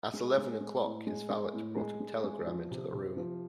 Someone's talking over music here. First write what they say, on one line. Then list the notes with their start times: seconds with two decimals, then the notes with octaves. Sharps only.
At eleven o'clock his valet brought a telegram into the room.
0.14 G#3
0.38 G#3
0.61 G#3
0.84 A2
1.07 G#3
1.30 G#3
1.53 A2
1.77 G#3
2.00 G#3
2.24 G#3
2.47 F3
2.71 C3
2.94 C3
3.17 F3